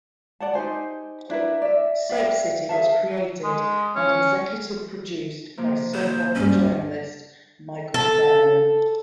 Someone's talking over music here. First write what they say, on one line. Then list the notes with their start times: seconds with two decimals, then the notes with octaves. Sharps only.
SoapCity was created and executive produced by soap opera journalist Michael Fairman.
0.40 D5 F#5 A5
0.54 D#4 G4 C5 G#5
1.30 D4 E4 A#4 B4
1.62 D5 E5
2.09 D5 E5 F5 G5
2.69 G#4 E5 F5 A5
3.44 G#3
3.95 C#4
5.58 C3 F3 A#3
5.94 D#3 E4 C5
6.35 G2 G3 C#4
7.94 A4